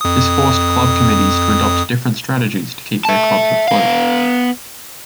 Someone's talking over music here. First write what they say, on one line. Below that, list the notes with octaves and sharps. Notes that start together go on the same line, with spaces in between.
This forced club committees to adopt different strategies to keep their clubs afloat.
F2 D#6
E5 A5
B3 F5